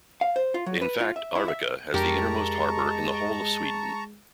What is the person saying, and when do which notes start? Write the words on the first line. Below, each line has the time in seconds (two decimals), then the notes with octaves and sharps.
In fact, Arvika has the innermost harbour in the whole of Sweden.
0.21 F5
0.36 C5
0.54 F4
0.66 F#3
0.81 B4
1.01 F4
1.16 E5
1.36 E4
1.48 E5
1.94 F2 G#3 D4 G4 A#4 A5 A#5 C#6